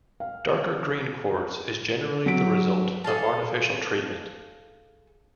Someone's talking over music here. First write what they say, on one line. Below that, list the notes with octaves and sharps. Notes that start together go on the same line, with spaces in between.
Darker green quartz is generally the result of artificial treatment.
F5
F#3 B6 D7
G#4 A4 F5 A5